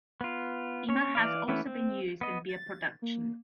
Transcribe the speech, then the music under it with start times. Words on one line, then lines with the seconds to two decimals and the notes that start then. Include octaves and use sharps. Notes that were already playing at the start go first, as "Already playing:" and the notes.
Emmer has also been used in beer production.
0.21 B3 F4
0.89 C#4 C#5
1.15 E3 D5 F5
1.48 E3 A3 B3 C#4 E4
1.66 C4
2.21 B3 D#5
2.49 A6
3.02 A#3